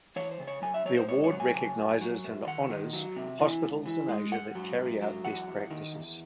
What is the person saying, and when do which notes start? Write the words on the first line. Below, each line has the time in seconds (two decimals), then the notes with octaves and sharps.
The award recognises and honours hospitals in Asia that carry out best practices.
0.16 E3 C#5
0.31 C5
0.40 C#3
0.47 C#5
0.62 F#3 G#5
0.74 E5
0.85 F#3 C#5
0.97 C5
1.08 G#2 C#5
1.24 C#5
1.32 F#3
1.40 G#5
1.54 C#3 G#5
1.78 F#2
2.01 F#3
2.24 F#2
2.47 D#3 F#5
2.70 D#3
2.93 F#3
3.16 C3
3.40 E3
3.62 C#2
3.86 E3
4.09 G#3
4.32 G#2 F#5
4.55 F#3
4.78 G#2
5.01 F#3
5.24 E2 F#5
5.47 E2
5.70 D#3
5.93 E2